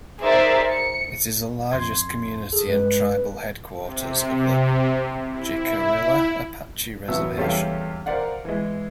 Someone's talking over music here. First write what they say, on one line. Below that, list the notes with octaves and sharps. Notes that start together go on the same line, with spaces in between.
It is the largest community and tribal headquarters of the Jicarilla Apache Reservation.
D#4 G#4 A#4 C5 D5 E5
C#7
F2 C6 G#6
G#4 A4
G2 G#3 B4
C3
E4
A1 F#3 B3 E6
E2 G3 C#4 G4 A4 F5
A#4 C5 D5 F5 F#5
E3 G#3